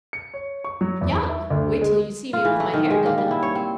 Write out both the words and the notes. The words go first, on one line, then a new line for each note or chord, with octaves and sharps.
"Young!--Wait till you see me with my hair done up."
C#7
C#5
C#6
F#3
E2
C#6
E5
D2
G#3
F4
E3
A3
D#3
G#3
A#3
G3
E4
C#5
C4